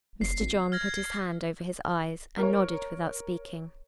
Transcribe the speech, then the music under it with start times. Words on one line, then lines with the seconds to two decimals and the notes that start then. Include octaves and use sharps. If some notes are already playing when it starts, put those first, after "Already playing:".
Mr. John put his hand over his eyes and nodded without speaking.
0.21 F#1 C7
0.41 G#1
0.72 F6 G#6 A#6
2.38 A#4 C#5